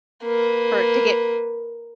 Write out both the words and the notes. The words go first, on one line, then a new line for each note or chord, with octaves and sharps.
for to get
A#3 B4